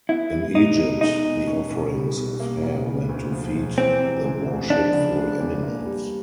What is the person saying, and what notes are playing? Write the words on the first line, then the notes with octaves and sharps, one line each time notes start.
In Egypt the offerings of hair went to feed the worshipful animals.
B3 E4
G3
B2 D#4
B2
G#3 D#4
B2
C#4
B1
G3
B2
A#3
B1
C#3
D2
F3
E1
E3 C4
C3
G#3
C2
F3 D4
C#3
G#3
E2
A#3
G3